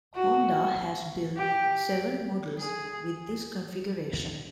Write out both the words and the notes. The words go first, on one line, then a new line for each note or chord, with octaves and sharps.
Honda has built seven models with this configuration.
F#4
G4
G#4